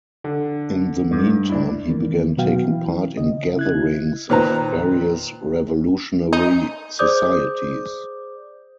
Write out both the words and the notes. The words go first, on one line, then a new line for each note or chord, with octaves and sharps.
In the meantime, he began taking part in gatherings of various revolutionary societies.
D3
G2
D4 E4
D#3 E3 A#3
B2 F#3 B3 F#4 F5 G5
E3 E4
C#3 D#5
E4 F#6 G#6
A#2 D#3 B4 C5 A#5
D#4
G#4 C5 D5 D6 D#6 G6